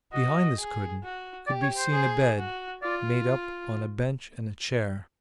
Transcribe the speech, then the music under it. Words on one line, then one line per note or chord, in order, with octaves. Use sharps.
Behind this curtain could be seen a bed made up on a bench and a chair.
F#4 D#5
G#4
F#4
G4 D5
C#5
C5
G#4
F#4
F4 D5